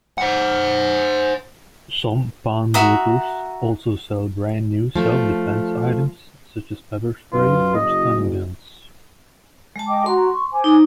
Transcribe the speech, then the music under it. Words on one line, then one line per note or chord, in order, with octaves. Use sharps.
Some pawnbrokers also sell brand-new self-defense items such as pepper spray or stun guns.
C5 F#5
F#4 E5 A#5 D#6
F3 A3
B1 F#2 F4 B4
F#1 D#5
G#3 A5
D#5 G5 D6
F#4 A#5 C6
C#6
C5 G#5 D6
D#4